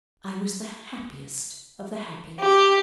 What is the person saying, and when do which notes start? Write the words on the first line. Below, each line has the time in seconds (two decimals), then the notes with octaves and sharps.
I was the happiest of the happy.
2.40 G4